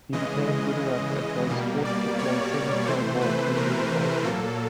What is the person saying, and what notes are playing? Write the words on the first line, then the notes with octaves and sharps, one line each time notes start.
He became good enough at both sports to play semipro ball for years afterward.
C#3 E3 G#3 D#5
B2 G3 A#3
D5
C#5
C3 E3 A3 C5
B4
A#4
A#2 F#3 A#3 A4